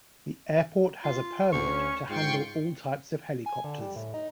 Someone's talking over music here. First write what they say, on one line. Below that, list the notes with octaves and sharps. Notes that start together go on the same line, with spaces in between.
The airport has a permit to handle all types of helicopters.
F4
D2 C#4 C#6
G#2 F4 G5 C6 C#6
G#5
D3
G3
A2
D#4